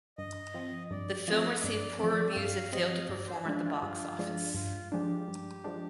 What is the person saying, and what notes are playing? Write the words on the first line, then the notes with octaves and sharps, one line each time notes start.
The film received poor reviews and failed to perform at the box office.
G2 D#5
F3 C4
G2 D5
F3 C4 D#5
G2 D5
F3 C4 D5
G5
G2 F5
F3 C4 D#5
G2 D5
C5
F3 G#3 D4 F4
F4
G2 F4
F3 G#3 D4
G2 F4
F3 G#3 D4 G4
G2
F3 G#3 D4